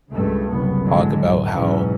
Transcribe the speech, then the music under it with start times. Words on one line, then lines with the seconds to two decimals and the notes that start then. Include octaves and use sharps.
talk about how
0.12 C#2 G2 C#3 A3
0.51 F#1 C2 B3
0.84 F#2 A2 D3 F#3 G#3
1.22 A1 D2
1.54 B1 E2 G#2 E3 F#3 C#4